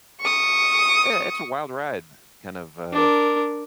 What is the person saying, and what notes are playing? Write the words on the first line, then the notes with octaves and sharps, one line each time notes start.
eh it's a wild ride kind of, uh,
C#6 D#6
D4 A#4